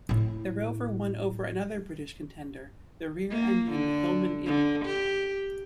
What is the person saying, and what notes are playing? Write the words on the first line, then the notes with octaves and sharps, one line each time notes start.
The Rover won over another British contender, the rear-engine Hillman Imp.
A2 E4
A#3
D3
D3
G4